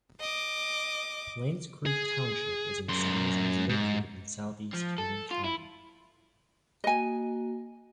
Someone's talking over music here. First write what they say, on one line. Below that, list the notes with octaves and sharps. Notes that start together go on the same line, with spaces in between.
Lanes Creek Township is in size and is located in southeast Union County.
D#5 D6
G#4
F#2 C6
G#2
F3
A4
F4
E4
A#3 F#4 D#5 G#5